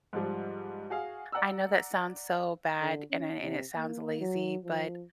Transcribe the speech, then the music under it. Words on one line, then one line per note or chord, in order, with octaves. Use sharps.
I know that sounds so bad, and it and it sounds lazy, but,
G#2 F3 G3
F#4 G#4 F5
D5 F#5 A#5 E6
D3
C#4
C3
A#3
F#3
F3